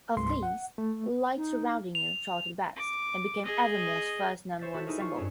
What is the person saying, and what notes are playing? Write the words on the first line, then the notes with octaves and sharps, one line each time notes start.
Of these, "Light Surrounding You" charted best, and became Evermore's first number one single.
C2 G2 C6
F#5
A3
D#4
F7
D6
G#4 D#5
C5 C#5 E5 G6 A6 B6
E4 F#4 A4 E5
D#4 E4 F#4 G#4 A#4 E5
F4 C#6 C#7
G2 C#4 E4